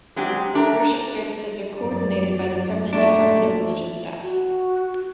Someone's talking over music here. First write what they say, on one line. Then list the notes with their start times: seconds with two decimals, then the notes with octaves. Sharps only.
Worship services are coordinated by the permanent Department of Religion staff.
0.16 F#3 G#3 C4 D4 G4
0.54 A3 D4 A#4 A#5
1.79 F#2 D5
2.93 F#2 A#2 A3 D4
4.22 F#4